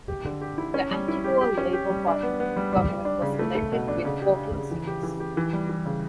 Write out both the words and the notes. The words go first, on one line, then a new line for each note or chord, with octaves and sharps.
The Antigua Labour Party government was elected with fourteen seats.
G4
D3
G4
E4
C#4
G3
E4
G4
G4
C#4
G4
G3
D4
B3
B3
G3
G3
G3
D4
C#3
A3
A3
B2
D4
C#3
G4
D4
C#3
E3
G4
E3
G4
E3
G3
E3
C#3